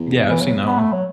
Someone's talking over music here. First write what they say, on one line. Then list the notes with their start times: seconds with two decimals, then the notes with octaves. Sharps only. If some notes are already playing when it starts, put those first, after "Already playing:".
Yeah, I've seen that one.
Already playing: E2
0.29 E3
0.41 F#3
0.66 B3
0.79 A3
0.92 F#3